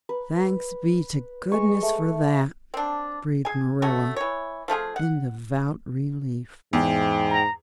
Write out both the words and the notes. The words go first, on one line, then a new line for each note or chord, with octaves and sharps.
"Thanks be to goodness for that," breathed Marilla in devout relief.
B4
G#3 C#6
A3
C4 D4
G#4 G#5
F#3 A3 C#4
E3 C#5
F3 A3 F4 G#4
F#5
E2 G#2 G5
A#5